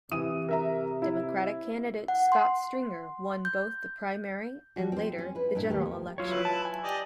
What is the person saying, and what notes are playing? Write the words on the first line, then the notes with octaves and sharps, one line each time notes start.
Democratic candidate Scott Stringer won both the primary and later the general election.
C3 E3 D#6 D#7
A#4 E5 A#5
E4
F#5
C6
G6
F3 G3 F#4
C4 C5
C#4
E4 B4
G2 A#2 E4 E5
D#2 D#3 A3 G4
F#3 F4 C#5
E4 B4
A5
G#5
G4 D5 D#5